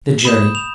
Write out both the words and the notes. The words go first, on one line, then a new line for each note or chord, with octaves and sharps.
The Journey.
B5 D#6 G6 E7
F7